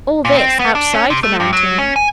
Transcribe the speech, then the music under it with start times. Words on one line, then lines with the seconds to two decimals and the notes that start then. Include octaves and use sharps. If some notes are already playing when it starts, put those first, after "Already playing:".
All this outside the mountain!
0.25 A#2
0.37 C4
0.59 B3
0.75 D4
0.94 C#4
1.10 C3
1.23 A3
1.40 G2
1.53 F#3
1.78 C#4
1.96 G#5